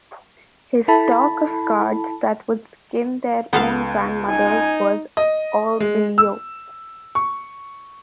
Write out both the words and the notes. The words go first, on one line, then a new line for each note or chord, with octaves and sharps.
His talk of guards that would skin their own grandmothers was all billy-o.
E4 A4 A5 B5
C#2 B3 A4 F5
D#4 G#5
D#5
G#3
E6
C#6